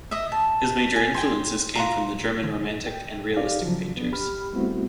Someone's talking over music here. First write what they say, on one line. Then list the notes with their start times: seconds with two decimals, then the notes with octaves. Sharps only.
His major influences came from the German Romantic and Realistic painters.
0.11 D#5 E5
0.32 A5
0.96 G#5
1.14 G5 G#5 C6
1.75 F4 F#5 A#5
2.86 G5
3.37 D#4 G4 D5 F5
3.62 C#3 F3 F#3
3.97 B3 D4
4.12 G4 B5 F6
4.53 G3 A3 B3 C4 E4 F#4